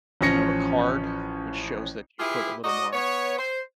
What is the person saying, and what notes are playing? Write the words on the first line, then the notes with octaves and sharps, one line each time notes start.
you know, a card, which shows that you put a little more
A1 F3 C#4 A#6 C#7
E4 F4 G4 G#4 B4
F#4 D5 D#5
B3 C#5
C5